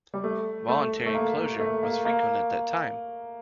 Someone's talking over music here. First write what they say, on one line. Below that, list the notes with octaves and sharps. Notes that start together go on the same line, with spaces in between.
Voluntary enclosure was frequent at that time.
G3
A3
A3
A3
A#3
A#3
A3
A#3
A#3